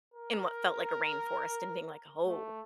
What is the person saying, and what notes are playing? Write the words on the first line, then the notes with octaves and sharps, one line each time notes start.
in what felt like a rainforest and being like, "Oh,
A#4
A3